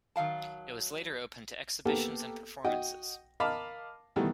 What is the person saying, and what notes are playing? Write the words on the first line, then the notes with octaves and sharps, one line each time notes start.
It was later opened to exhibitions and performances.
D#3 F#3 F5 A5
A#3 B3 G4 A4
F#4 D#5 G5
A#4 D#5 F5 A5 B5 D6
D#3 E3 G3 A3 B3